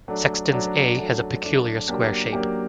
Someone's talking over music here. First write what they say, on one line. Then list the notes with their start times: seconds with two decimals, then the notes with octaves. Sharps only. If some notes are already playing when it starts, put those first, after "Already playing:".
Sextans A has a peculiar square shape.
0.08 F#3 A3 D4
0.52 F#3 A3 D4
0.98 F#3 A3 D4
1.43 F#3 A3 D4
1.88 F#3 A#3 D4 G4
2.33 F#3 A#3 D4 G4